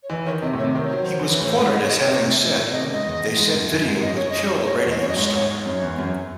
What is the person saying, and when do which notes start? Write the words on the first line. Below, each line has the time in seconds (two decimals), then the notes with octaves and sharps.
He was quoted as having said: They said video would kill the radio star.
0.03 C#5
0.10 E3 D#5
0.26 D#3 C#5
0.42 C3 D#5
0.53 A2 C#5
0.64 C3
0.75 D#3 C5
0.84 C#5
0.91 F#3 C5
1.08 F#3
1.19 E3
1.29 E3
1.41 A2 C#5
1.49 C5
1.56 G#2 A4
1.66 C#5
1.73 D#5
1.81 C#5
1.90 D#5
1.98 C#5
2.06 C3
2.22 C3
2.39 A2
2.55 A2
2.71 C3 D#5
2.78 D#3
2.82 C#3
2.93 G#2 D#5
3.04 E2
3.37 G#2
3.53 F#2
3.69 F#2
3.86 G#2
4.02 F#2 D#5
4.16 C#5
4.30 D#5
4.63 C5
4.68 C#5
4.79 C#5
4.84 E2
4.90 D#5
5.01 F#2 C#5
5.09 D#5
5.16 G#2 C#5
5.33 C#5
5.66 F#2 C#5
5.82 E2
5.98 F#2